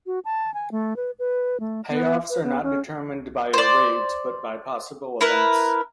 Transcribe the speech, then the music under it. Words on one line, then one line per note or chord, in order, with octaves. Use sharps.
Pay offs are not determined by a "rate", but by possible "events".
F#4
A5
G#5
A3
B4
B4
A3
B3
B4
B3
C#4
C5 D5
E4 A#4 B4